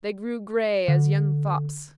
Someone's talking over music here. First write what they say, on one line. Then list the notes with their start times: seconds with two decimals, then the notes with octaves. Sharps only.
They grew gray as young fops.
0.88 D3